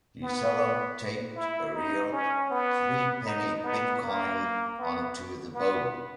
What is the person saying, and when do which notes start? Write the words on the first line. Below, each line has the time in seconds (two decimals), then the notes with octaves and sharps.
She sellotaped a real 'threepenny bit' coin onto the bow.
0.22 B3
1.36 E4
1.74 D#4
2.12 C#4
2.50 B3
3.26 D#4
3.64 B3
4.03 A#3
4.79 B3
5.54 B3